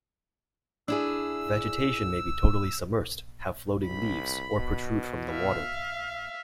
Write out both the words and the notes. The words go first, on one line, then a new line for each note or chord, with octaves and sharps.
Vegetation may be totally submersed, have floating leaves, or protrude from the water.
D4 E4 G#4 E6
C2 B5
B2
E5 F5